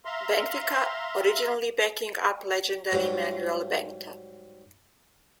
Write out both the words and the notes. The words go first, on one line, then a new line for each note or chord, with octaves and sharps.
Benfica, originally backing up legendary Manuel Bento.
E5 F5 A#5 C6
G#2 F#3 G3 B4